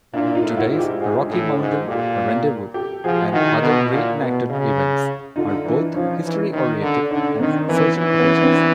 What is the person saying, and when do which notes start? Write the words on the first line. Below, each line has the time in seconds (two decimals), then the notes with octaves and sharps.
Today's Rocky Mountain Rendezvous and other reenacted events are both history-oriented and social occasions.
0.13 A#2 D4 E4
0.35 D#4 F4
0.42 A2
0.57 E4 F#4
0.71 G#2
0.78 F4 G4
1.00 G#2 F#4 G#4
1.30 A2
1.59 G#2
1.87 A#2 G4 A4
2.74 G4 A4
3.04 F3 F#4 G#4
3.32 D#3 E4 F#4
3.62 B2
3.92 A#2
4.21 B2
4.49 C#3
5.36 D3 D#4 F4
5.65 E3 D4 E4
5.94 F3 C#4 D#4
6.24 E3
6.52 D#3
6.81 D3
7.11 D3 C#4 D#4
7.39 D#3 C4 D4
7.68 E3 B3 C#4
7.98 E3
8.19 B3 C#4
8.41 C4 D4